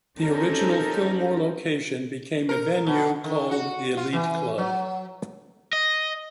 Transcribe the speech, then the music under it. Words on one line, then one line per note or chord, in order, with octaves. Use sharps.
The original Fillmore location became a venue called The Elite Club.
C4 C#4 D#4 G4 A4 A#4
A#4
B2
D#3
F#4
F4
E3
F#3
D#5